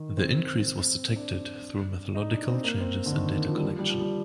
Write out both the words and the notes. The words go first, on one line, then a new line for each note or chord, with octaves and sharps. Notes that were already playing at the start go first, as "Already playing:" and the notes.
The increase was detected through methodological changes in data collection.
Already playing: D#3
C4
D4
D#4
D4
C4
A#3
C4
D3
D#3
D#3
F3
G3
F3
G3
F3
G3